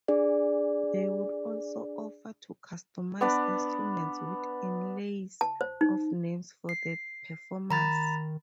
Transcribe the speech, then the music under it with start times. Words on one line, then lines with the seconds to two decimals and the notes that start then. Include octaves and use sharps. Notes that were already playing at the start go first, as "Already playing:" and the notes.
They would also offer to customize instruments with inlays of names for the performers.
0.08 D4 G#4 D5
3.21 B3 D4 B4
5.41 A5
5.61 C5
5.81 D#4
6.69 C7
7.71 D#3 A#5 B5 A6